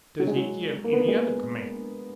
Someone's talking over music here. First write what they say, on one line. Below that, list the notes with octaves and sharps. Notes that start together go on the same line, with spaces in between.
Does he give any other command?
F#3
G#3
F#3
A#3
B3
A#3
G#3